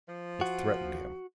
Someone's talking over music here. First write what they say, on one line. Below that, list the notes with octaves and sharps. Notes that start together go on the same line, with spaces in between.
It threatened him.
F3
F#4